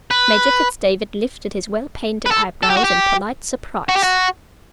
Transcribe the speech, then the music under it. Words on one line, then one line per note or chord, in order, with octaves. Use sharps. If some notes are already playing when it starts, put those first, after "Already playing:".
Major Fitz-David lifted his well-painted eyebrows in polite surprise.
B4
B4
A4
A4
G4
F#4
G4
F#4
G4
F#4